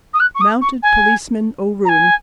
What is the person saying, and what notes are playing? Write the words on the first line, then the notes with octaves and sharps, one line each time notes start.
Mounted Policeman O'Roon.
D#6
F#6
C#6
D#6
C#6
G#5
A#5
G#5